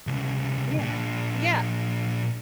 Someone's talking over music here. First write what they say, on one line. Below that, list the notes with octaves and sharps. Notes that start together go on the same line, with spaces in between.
Yeah. Yeah.
C2 C#3
A#2 D4